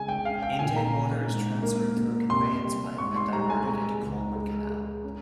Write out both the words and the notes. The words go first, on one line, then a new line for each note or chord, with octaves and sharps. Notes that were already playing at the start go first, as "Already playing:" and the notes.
Intake water is transferred through a conveyance pipe and diverted into Coleman Canal.
Already playing: C#3 G#3 G#5
G5
C#4 F5
G5
A#2 G#5
A#5
C#4
G#2
A#3
A#3
C3 C6
G3
G#2 C#6
C6
G3 A#5
G#5
G#3 A#5
C#2
G#3
G#3
C#4